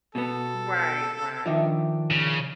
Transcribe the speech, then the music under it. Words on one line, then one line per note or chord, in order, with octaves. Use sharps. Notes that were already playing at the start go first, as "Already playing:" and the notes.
Right, right.
B2 B3 A4
D#3 F3 D4 D#5 E5
C#3